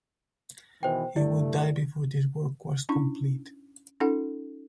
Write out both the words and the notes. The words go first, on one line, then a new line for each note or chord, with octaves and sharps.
He would die before this work was complete.
B2 D#3 E3 C5 G5
G2 A3 E4 D5
C#4 D4 E4 C#6
C#4 D#4 F4 A4 F#5